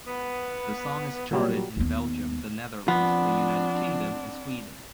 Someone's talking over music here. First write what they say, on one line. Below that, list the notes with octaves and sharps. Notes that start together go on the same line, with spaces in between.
The song has charted in Belgium, the Netherlands, the United Kingdom and Sweden.
B3
A#2 F#3 G3
D#2 B3
F3 B3 C4 D4